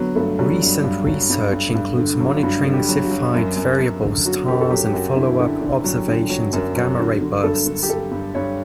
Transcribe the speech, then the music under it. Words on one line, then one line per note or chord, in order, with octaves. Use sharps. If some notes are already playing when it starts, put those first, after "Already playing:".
Recent research includes monitoring Cepheid variable stars and follow-up observation of gamma-ray bursts.
Already playing: D3 F#3 B3
G2 A3
F#3 G3
G2
G2
F#3
G2
G2
G2
D3
F#3
G2 F#4
D3
G4
F#3
F#4
F#3
F#2
F#2
F#2
D3
F#3 F#4
F#2 G4
A4
F#3 G4
G4
F#2 F#4
D3 E4
D3
D3
F#3
D3
F#3
F#2
F#3
D3 F#4
D3
G2 A4
D3
G4
G2 A4
G2
G2 C#5